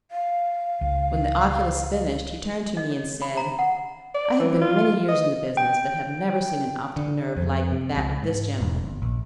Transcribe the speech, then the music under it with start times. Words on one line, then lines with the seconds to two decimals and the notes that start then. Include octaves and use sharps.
When the oculist finished, he turned to me and said: 'I have been many years in the business, but have never seen an optic nerve like that of this gentleman.
0.11 F5
0.81 C#2
2.77 D#5
2.91 C#5
3.22 B5
3.37 A#5
3.59 F#5
4.14 D5
4.40 E3
4.62 F4
5.09 D#5
5.57 G5
6.96 D3
7.37 F2
7.72 C3
7.96 C#2
8.23 G#2
8.61 E1
8.85 G1
9.02 A#1